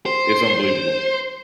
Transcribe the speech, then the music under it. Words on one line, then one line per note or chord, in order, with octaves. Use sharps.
it's unbelievable,
C5